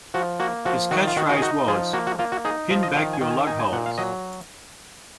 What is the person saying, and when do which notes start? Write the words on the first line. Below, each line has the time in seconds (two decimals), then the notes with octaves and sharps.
His catchphrase was 'Pin back your lugholes'.
0.14 F3 F#4
0.40 A#3 F#4
0.65 F3 F#4
0.91 D#3 F#4
1.07 F4
1.16 D#3 F#4
1.29 F#4
1.37 G#4
1.42 D#4 F#4
1.68 F3 G#4
1.93 A#3 F#4
2.07 F#4
2.19 A#3 F4
2.32 F#4
2.45 D#4 G#4
2.71 F3 D#5
2.83 D#5
2.96 D#3 F5
3.13 G#5
3.21 D#3
3.30 G#5
3.47 D#4 G#5
3.60 G#5
3.72 A#2 F#5
3.86 F5
3.98 F#3 D#5